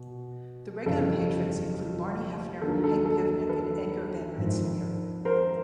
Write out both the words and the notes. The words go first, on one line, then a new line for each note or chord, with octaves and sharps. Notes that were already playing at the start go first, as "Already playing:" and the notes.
The regular patrons include Barney Hefner, Hank Pivnik, and Edgar Van Ranseleer.
Already playing: B2
G1 F2 C#3 E3 G3 A4
D#2 D3 F#3 A4
A4
A4
A4 B4
G#1 G#2 F3
A#4 C5